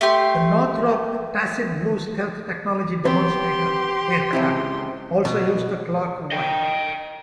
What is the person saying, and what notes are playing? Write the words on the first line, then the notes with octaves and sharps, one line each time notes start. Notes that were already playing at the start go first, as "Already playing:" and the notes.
The Northrop Tacit Blue stealth technology demonstrator aircraft also used a Clark Y.
A3 G4 C6
B3 C4 G4 C6
C#2 C4 E4
B2
D#5 G5